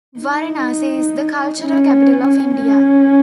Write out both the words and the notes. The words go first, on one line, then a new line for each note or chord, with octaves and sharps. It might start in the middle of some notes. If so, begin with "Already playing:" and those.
Varanasi is the cultural capital of India.
D#4
C#4
C#4